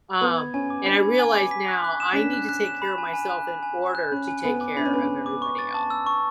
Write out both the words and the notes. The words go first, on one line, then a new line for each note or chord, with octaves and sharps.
Um, and I realized now I need to take care of myself in order to take care of everybody else.
B3 B5
G#6
C#4 G#5
D6
D4 B5
G#6
G#5
D6
B6
F#6
F#6
E7
C#4
D4 B6
F#6
F#6
E7
B5
G#5
G#5
F#6
B5
G#5
G#5
F#6
C#4 B5
G#5
B3 G#5
D6
D4 B5
C#4
B3 G#5
C#4
G#5
D6
C#6
A6
A5
E6
C#6